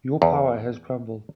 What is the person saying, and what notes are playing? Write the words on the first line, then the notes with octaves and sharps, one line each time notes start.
Your power has crumbled.
E2